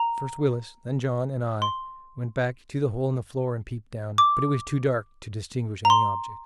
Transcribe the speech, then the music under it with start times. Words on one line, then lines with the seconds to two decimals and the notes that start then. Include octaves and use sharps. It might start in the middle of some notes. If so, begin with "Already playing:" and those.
First Willis, then John and I, went back to the hole in the floor and peeped down; but it was too dark to distinguish any object.
Already playing: A#5
1.62 C6
4.18 D6
5.85 A#5
5.90 C6